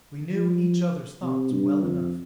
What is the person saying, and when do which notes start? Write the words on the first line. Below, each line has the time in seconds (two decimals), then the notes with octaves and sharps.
We knew each others thoughts well enough.
0.32 F3
1.22 C3
1.53 G2
1.82 F2